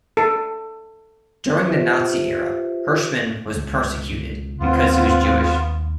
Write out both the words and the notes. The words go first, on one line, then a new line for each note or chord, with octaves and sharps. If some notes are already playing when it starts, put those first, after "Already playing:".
During the Nazi era, Herschmann was persecuted because he was Jewish.
A4
F4 G4 B4 C5 E5
C#2 B2
D#2 G#3 B3 C4 F4